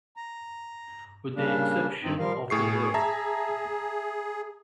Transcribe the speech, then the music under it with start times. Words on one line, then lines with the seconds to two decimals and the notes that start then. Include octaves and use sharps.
With the exception of the Ver.
0.17 A#5
1.35 C#3 G3 A#3 D4
2.03 G2 C4 D#4
2.19 F3 G3 A#4 F5
2.50 A2 G#4 C#6 C7
2.94 E5 A5 A#5